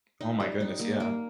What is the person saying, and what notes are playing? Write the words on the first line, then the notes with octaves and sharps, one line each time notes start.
Oh, my goodness, yeah.
D#4
G3
D#4
A#3
A#3